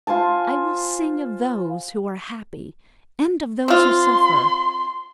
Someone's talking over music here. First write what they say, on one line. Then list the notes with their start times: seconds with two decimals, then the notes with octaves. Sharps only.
I will sing of those who are happy and of those who suffer.
0.07 F4 C5 G#5 A5
3.68 C4 F4 C6